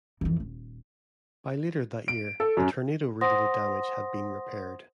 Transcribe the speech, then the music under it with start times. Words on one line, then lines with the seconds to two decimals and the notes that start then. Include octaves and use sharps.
By later that year, the tornado related damage had been repaired.
0.21 F2 E3
0.40 D#1
2.08 D7
2.40 A4
2.57 F#2
3.21 C5 F#5 C6 D#6 A#6